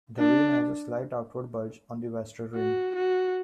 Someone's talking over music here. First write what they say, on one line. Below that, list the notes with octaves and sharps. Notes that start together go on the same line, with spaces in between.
The rim has a slight outward bulge on the western rim.
D4
F#4
F#4